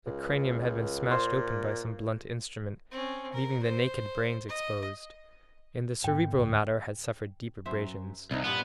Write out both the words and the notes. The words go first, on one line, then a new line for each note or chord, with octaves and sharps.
The cranium had been smashed open by some blunt instrument, leaving the naked brains exposed, and the cerebral matter had suffered deep abrasions.
C#2
A#2 C5
C4 C#4
A#4
C5
D#5
G#2 B3 G5
D2 G#2
F#2 C5 E5
C2 C4 D#4
G2 A#2 B3 D4